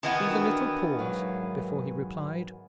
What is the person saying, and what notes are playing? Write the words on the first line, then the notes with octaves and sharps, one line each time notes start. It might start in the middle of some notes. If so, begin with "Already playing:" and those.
There was a little pause before he replied.
D#3 E3 B3
D4 F#4 G5
G#2 F#3 F5